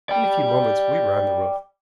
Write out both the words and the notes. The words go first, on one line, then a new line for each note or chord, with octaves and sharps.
In a few moments we were on the roof.
D5 G5